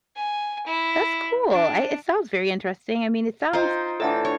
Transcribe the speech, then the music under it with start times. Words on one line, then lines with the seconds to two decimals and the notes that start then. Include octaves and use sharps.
that's cool, I it sounds very interesting, I mean, it sounds
0.16 G#5
0.66 E4
1.50 D4
3.53 D#4 F4 C5 D#5 G5 A#5
4.00 A2 D3 E3 A4 E5 A5
4.25 C#5